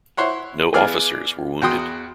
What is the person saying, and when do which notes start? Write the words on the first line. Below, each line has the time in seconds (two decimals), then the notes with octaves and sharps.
No officers were wounded.
0.17 E4 C5 C#5 F#5
0.73 E3 B3 G#4 D5 F5 F6
1.62 E2 F#4 G5 C6 D#6